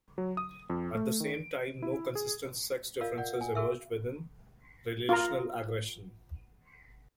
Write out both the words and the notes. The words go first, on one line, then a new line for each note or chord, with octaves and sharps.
At the same time no consistent sex differences emerged within relational aggression.
F#3
D#6
F2
A3
D#3
D7
E4
G#4
F4 A#4 D5 D#5 F5
D5 F#5
G#5
F#4 G#4 A#4 E5
F4 A#4 A#5